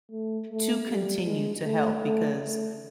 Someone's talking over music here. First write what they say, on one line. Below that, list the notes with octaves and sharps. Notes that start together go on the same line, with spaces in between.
to continue to help because
A3
A3
G3
G#3
A3
A3
A3